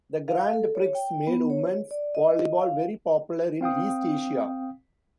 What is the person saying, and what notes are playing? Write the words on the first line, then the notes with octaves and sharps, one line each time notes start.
The Grand Prix made women's volleyball very popular in East Asia.
F5
A4
C#5
G5
B3
C#5
D5
D#5
F5
C4 F5 G5 D#6